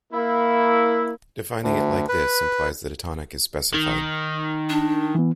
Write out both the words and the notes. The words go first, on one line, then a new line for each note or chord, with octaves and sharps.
Defining it like this implies that a tonic is specified.
A#3 E4
D2
B4
D#3
D4
E3 B3